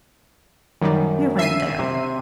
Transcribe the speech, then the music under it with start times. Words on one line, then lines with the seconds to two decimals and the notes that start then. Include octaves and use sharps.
We went there.
0.81 F#2 D#3 F#3 G3
1.39 E5 C7 D#7
1.79 C3